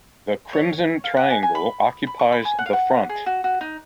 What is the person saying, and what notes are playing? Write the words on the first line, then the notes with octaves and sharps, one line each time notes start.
The crimson triangle occupies the front.
C#5
F5
F#5
G#5
G#5
B5
B5
C#6
B5
G#5
F#5
F5
F#5
G#4
F#4
F#4
D#4